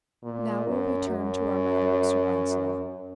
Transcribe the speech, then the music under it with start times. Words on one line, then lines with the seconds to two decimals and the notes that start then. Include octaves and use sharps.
Now will we turn to our matter of Sir Launcelot.
0.24 A#2
0.68 F#2
1.10 F#2
2.84 F#2